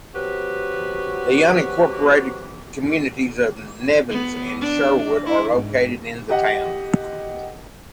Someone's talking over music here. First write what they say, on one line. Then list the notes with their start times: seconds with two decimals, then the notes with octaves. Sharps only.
The unincorporated communities of Nevins and Sherwood are located in the town.
0.14 F#3 C4 F#4 G4 B4
4.10 B3
4.61 D4
5.26 E4
5.56 G#2
6.30 G4 D#5 F#5